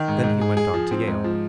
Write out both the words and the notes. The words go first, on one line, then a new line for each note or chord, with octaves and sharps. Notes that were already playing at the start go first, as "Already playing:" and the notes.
Then he went on to Yale.
Already playing: D#3
G#2
G#2
G#4
G#4
F3
C4
G#2
F3